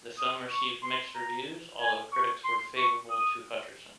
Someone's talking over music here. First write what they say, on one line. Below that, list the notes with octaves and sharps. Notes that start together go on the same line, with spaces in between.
The film received mixed reviews, although critics were favorable to Hutcherson.
D#6
C#6
C6
A#5
G#5
C#6
C6
C#6
D#6